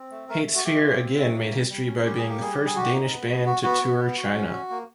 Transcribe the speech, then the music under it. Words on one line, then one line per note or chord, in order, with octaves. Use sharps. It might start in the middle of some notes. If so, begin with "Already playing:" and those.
HateSphere again made history by being the first Danish band to tour China.
Already playing: C4
A3
A3 A#4
A3
F#4
A3 G4
F4
C4
A3
A#3
G3
G3
C#4
G3 G4
G#4
A#3
G4
G3 G#4
G4
G3
G#4
F#4 G4
D#4
B3
B3
F#4
B3 F#4
B3
B3
F#4
C#4
F#4
A#3